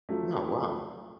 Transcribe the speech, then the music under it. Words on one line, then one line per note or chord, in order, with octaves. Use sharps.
Oh, wow.
F3 F#3 A3